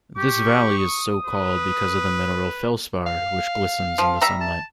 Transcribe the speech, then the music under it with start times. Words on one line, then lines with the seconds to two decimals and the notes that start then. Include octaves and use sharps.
This valley is so-called because of the mineral felspar which glistens in the sunlight.
0.18 G4 C#6
0.78 D#6
1.26 B4
3.07 F5
3.98 F3
4.22 G3 E5 A#5
4.41 A5